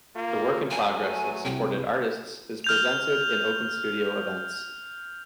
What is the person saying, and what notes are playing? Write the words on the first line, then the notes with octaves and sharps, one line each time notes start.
The work in progress of supported artists is presented in open studio events.
A#3 F4
F#3 A3 G#5
C2 C3 G5
F6 G6 F7